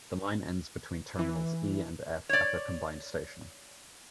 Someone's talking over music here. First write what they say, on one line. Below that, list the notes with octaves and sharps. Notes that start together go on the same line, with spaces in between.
The line ends between terminals E and F at their combined station.
E3
C#5 D5